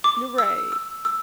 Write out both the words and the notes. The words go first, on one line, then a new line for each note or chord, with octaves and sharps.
You're right.
D6
E6
E6
E6